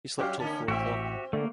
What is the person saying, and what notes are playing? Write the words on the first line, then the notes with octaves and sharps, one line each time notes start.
He slept till four o’clock.
F#3 C#4 F#4 G4 F5
D3 A#3 C#4 A5
A1 C4 F#4 G4 E5
D3 A3 A#3